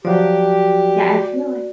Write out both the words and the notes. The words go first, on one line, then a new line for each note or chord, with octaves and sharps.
Yeah, I feel like
F3 F#3 F#4 G4 D5